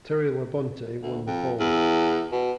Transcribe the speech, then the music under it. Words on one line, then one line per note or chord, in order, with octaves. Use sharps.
Terry Labonte won the pole.
D2
F2
E2
B2